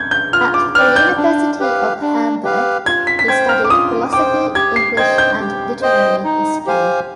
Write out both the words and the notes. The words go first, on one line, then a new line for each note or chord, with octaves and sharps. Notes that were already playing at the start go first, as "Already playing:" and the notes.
At the University of Hamburg he studied philosophy, English, and literary history.
Already playing: G6 G#6
G6
F4 F6
D6
B4 D5 G5 F6
G6
D4
G4 B4 F5
D4
G4 B4 F5
F4 G#6
B6
B6
C5 G5 G#6
F6
D6
F4 D#6
C5 G5 D6
G4 G#6
C7
C5 D#5 G5 G#6
G6
G4
C5 D#5 G5
D#4
G4 C5 F5 G#5